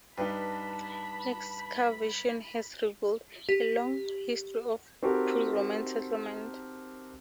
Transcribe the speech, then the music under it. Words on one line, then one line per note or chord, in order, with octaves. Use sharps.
Excavation has revealed a long history of pre-Roman settlement.
G2 D#4 B4 A5 B5
G4
C4 D#4 F#4 G4 A4 A#4